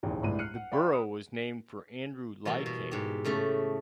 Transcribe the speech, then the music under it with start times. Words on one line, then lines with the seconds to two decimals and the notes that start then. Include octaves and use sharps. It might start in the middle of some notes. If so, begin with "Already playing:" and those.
The borough was named for Andrew Lycan.
0.03 F1 A#1 D#2 E4 G#4
0.22 G1 C2 A2 G#3 D4 D#7
0.39 F6 F#6 C7 C#7 D#7
0.56 F#5
0.72 D5 F5 G5 B5 C6
0.91 B5 D#6
2.45 B2 E3 G3 A#3
2.66 B2
2.91 G#2 G4
3.25 A2 C#3 A3